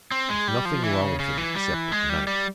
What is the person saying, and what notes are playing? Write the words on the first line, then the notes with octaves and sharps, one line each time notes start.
There's nothing wrong with him except at night.
C4
G#3
G3
F3
E3
C#3
C#3
E3
G3
E3
G#3
G3
G3